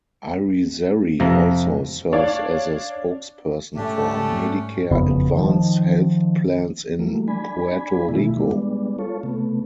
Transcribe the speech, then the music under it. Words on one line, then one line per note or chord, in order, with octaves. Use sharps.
Irizarry also serves as spokesperson for Medicare advanced health plans in Puerto Rico.
F2 C3 F3 A#5
D4 C#5 D5 F5
G#2 G3 A3 C#4 D4 G4
F#1 F2 C#3 B3
D#3 F3
E3 F#3 G3 A3 A#3
D4 G#5 B5
B2 D#3 E3 A3 E4
G3 G#3 B3 D4
F4 A4 C#5
C3 A3 B3